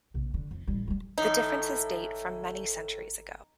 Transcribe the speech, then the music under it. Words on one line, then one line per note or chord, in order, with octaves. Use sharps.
The differences date from many centuries ago.
A#1 C3
D3
F2
A1 G3
F#3 G3
A2 E3 D#4